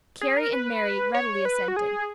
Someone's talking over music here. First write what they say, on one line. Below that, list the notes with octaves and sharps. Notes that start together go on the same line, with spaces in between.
Carry and Mary readily assented.
G#4
A#4
B4
C#5
B4
F#4
G#4